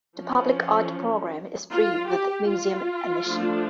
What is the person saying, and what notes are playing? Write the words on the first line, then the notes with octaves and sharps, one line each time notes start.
The Public Art Program is Free with Museum Admission.
F3 C#4
F4
G4
F4
F3 A3 D4